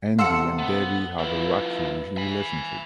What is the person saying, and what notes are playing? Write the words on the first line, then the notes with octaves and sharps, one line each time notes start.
Andy and Debbie have a rocky relationship.
C3 A4 F5 F#5 C6 E6
B3
F3 E4 B4
G#5 B5